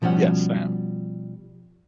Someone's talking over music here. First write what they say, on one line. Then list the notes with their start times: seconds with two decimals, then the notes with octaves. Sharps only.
Yes, I am.
0.02 B2 F3 G3 C#4 F#5